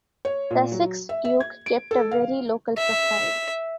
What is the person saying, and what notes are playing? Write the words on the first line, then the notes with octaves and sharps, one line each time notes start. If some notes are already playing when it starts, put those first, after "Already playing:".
The sixth duke kept a very local profile.
C#5
A#2
F#3
E5
E5
G#6
D7
A4
F5
E5